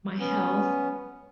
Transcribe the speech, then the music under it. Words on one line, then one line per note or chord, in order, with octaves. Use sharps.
my health
B3 C#4